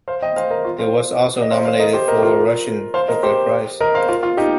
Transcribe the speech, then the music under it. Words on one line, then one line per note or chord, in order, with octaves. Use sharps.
It was also nominated for the Russian "Booker" prize.
C5 F5
D#5 G5
C5 F5
A#4 D#5
F4
C5 F5
D#5
C5 F5
C5 F5
A#4 D#5
G4 C5
A#4 D#5
F4 A#4
C5 F5
A#4 D#5
G4 C5
A#4 D#5
C5 F5
F4 A#4
F4
D#4 G4